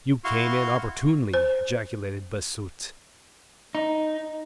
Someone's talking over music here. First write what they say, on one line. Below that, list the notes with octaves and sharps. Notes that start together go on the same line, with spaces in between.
"You came in opportunely!" ejaculated Bossuet.
E4 F#4 F5 C6 C#6
C5
D#4